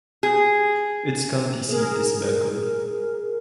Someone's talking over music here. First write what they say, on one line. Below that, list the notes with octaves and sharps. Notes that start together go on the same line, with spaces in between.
Its county seat is Beckley.
G#4
G#4 A#4